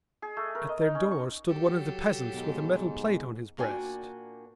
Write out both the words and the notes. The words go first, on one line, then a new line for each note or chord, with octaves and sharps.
At their door stood one of the peasants with a metal plate on his breast.
G#4
A3
A#4
D#5
D#4
C#4
C#6
F#3 G4 A4
G#2 B2
A#2 A#3 D4 F#4 G5 G#5